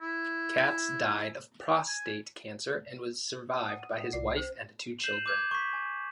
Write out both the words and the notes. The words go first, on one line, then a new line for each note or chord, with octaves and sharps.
Katz died of prostate cancer and was survived by his wife and two children.
E4
G#5
F#5 D#6
C2 D5 C7
C#4 C5
G6 C7 D#7 E7 F#7
D6 G6 G#6
C#6 B6
G#5